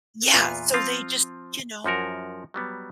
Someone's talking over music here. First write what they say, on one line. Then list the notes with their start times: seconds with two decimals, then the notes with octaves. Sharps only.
Yeah, so they just you know,
0.33 E2 A#2 B3 F4 G#5
0.74 F3 C4 F4 F5
1.84 F#2 F3 F#4 A#4
2.54 F#3 G3 B3